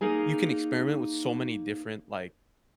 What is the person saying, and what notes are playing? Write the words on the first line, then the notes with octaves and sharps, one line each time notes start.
you can experiment with so many different, like,
A#3 D#4 G#4 G#5